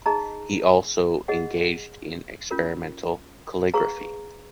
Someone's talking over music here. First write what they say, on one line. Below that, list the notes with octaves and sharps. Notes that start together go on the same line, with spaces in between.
He also engaged in experimental calligraphy.
D#4 G#4 D#5 A#5
G#4 D#5 F#5
C#4 F4 A#4
G#4 B4 F5 A#5 C#6